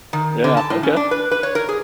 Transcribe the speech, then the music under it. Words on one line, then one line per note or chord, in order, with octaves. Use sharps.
Yeah. Okay.
D#3
D3
A5
A2
C#4
D4
B4
B4
C#5
A#4
G#4